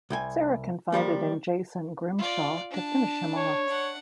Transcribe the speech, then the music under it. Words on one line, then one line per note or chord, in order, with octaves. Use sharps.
Sarah confided in Jason Grimshaw to finish him off.
C2 G5 G#5
D#3 F3 G3 A#3
F4 D5
D4 A5
C#5
D4 F#5